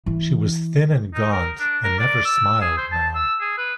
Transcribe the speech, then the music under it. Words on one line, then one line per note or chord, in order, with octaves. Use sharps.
She was thin and gaunt, and never smiled, now.
E3
D#4
A#4
D4
A#4
D5
E6
G#4
C5
A5
E6
G#4
B4